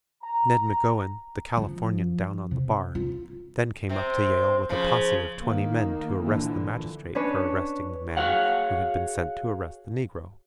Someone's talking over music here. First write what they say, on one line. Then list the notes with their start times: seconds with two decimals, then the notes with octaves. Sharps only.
Ned M'Gowan, the Californian down on the bar, then came up to Yale with a posse of twenty men to arrest the magistrate for arresting the man who had been sent to arrest the negro.
0.23 A#5
1.57 F3
2.51 C3
2.95 F4
3.89 C3 C4
4.69 C#3 F3
5.38 D#3 A#3
6.22 A#1 D3 E3
7.15 C#4 D4 B4 C#5
8.17 F#4 G#4 C#5 F5 F#5